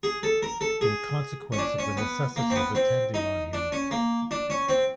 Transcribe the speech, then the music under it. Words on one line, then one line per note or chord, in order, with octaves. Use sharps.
In consequence of the necessity of attending on him.
G#4
A4
A#4
A4
G#4
C#4
D4
C#4
B3
A#3
C4
B3
C4
D#4
D4
C#4
A#3
D4
C#4
C4